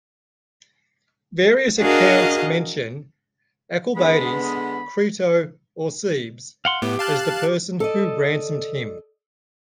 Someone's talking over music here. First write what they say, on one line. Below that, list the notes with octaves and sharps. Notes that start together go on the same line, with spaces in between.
Various accounts mention Alcibiades, Crito, or Cebes, as the person who ransomed him.
D4 F#4 G#4 A#4 D#5 F5
D3 G#3 B3 B5
F5 F#5 C6
A2 B3 G4
F5 A5 F#6
A4 D5 D#5